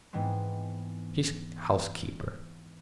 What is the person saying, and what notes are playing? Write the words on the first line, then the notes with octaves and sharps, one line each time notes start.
She's housekeeper.
G#2 E3 G#3 B3 C4